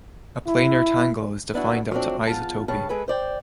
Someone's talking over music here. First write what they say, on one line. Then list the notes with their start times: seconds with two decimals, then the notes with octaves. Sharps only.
A planar tangle is defined up to isotopy.
0.47 E4
1.54 B3 D4 E4 F#4
1.91 F3 F#3 A3 A#3 C4 D4
2.27 E2 F4 A5
2.68 G2 C#3 A5
2.89 G#3 G#4 A4 B4
3.08 C5 D5 G5